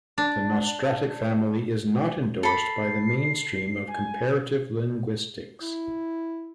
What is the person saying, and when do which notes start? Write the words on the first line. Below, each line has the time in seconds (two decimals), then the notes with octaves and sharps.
The Nostratic family is not endorsed by the mainstream of comparative linguistics.
0.18 D4
2.43 A4 B5 C7
3.88 G#5
5.61 E4